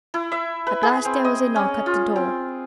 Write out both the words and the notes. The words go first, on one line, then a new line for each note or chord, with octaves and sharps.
At last there was a knock at the door.
E4
E5
B4
G#4
C4
D#5
C#4
F4
C4